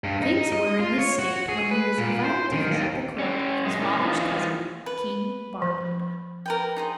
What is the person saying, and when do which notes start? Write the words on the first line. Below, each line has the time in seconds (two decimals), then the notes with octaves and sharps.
Things were in this state when he was invited to visit the court of his father's cousin, King Bardondon.
0.04 G2
0.22 D#4
0.53 D#5
0.80 F4
0.98 C#5
1.19 F#4
1.49 G#4
1.71 B4
1.98 A#2
2.25 C5
2.52 D#3
2.71 D#2
3.19 C#4 C#5 F#5 G5
3.64 F#2 G#3
3.81 A#2 E3 G3 C#4 A#4
4.00 E3 F3 A#3 D#4 F4
4.86 B4
5.62 F3
6.46 A#4 B4 G5
6.76 D#4 G#4 C5